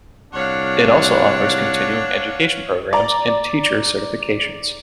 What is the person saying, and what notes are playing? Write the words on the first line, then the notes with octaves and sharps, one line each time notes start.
It also offers continuing education programs, and teacher certifications.
C2 D4 C#5 F5 F#5
D5 A#5